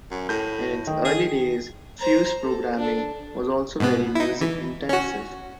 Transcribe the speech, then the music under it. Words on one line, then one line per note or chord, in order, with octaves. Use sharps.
In its early days, Fuse programming was also very music-intensive.
F#2
A2 G6
D#3
G#4
C5 A#5
A4
D4 A4
G#2 B2 B3
D#4 E4
E3
C#4 F#4